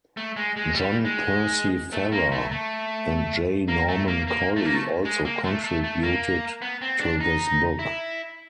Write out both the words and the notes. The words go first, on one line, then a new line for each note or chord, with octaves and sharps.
John Percy Farrar and J. Norman Collie also contributed to this book.
A3
G#3
G#3
G3
G#3
A3
A#3
A3
A3
A#3
A3
A#3
A#3
A3
A#3
A3
G#3
A#3
A3
A3
A3
A#3
B3
C4
D4
D#4
E4